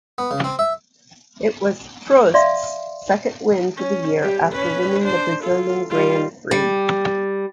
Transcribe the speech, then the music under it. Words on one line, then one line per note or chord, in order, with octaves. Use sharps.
It was Prost's second win for the year after winning the Brazilian Grand Prix.
B3
C#3
C4
E5
D5 E5 F5 C6
C#4
G3 G4
C#4 B4
D4 C5
F4 A4
G3 F4
G3